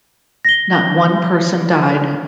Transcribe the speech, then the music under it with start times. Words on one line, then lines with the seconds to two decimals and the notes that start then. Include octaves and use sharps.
Not one person died.
0.45 A#6 G7